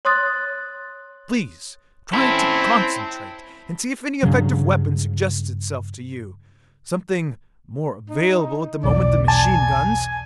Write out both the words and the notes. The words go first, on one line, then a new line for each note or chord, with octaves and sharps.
"Please try to concentrate, and see if any effective weapon suggests itself to you--something more available at the moment than machine-guns."
C#5 C6 D#6 F#6 A6
C4 C#4 E4 A4 A5 B5 F7
G2 C#3 F#3
D#4
B1 E2 D5
G#5 A5